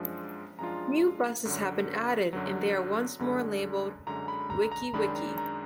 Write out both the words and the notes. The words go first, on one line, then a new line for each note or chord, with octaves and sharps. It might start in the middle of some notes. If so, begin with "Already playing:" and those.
New buses have been added, and they are once more labelled "Wiki Wiki".
Already playing: F#2 F3 G#3 D4 F4
F#2 F3 G#3 D4 F4 A#5
F#2 D3 F#3
F#2 D3 F#3
F#2 D3 G#3
F#2 D3 G#3 A#5
B5
A#5
A#5
F#2 D#3 G#3 D4 B5
A#5
A#5